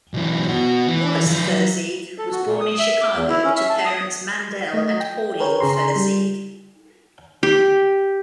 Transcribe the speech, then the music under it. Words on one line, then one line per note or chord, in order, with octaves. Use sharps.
Wallace Feurzeig was born in Chicago to parents Mandel and Pauline Feurzeig.
B1 E3
B2 F#4
E3
F3 B4
F#3
A4
F#4
A#2
D#6
E5
D6
E2
E4
C#4
E5
A5
D#6
A3 D#5
G5
G#4 A#4 B4 C#5 G5
C#3 G#4 A#5 C6
G3
G4